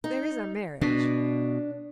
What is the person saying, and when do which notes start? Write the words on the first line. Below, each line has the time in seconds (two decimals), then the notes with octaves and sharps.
There is our marriage....'
0.04 D#4
0.81 B2 D4